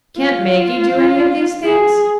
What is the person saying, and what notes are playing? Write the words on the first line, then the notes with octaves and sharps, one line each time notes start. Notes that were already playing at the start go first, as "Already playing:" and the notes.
"Can't Maggie do any of these things?"
F4
G#4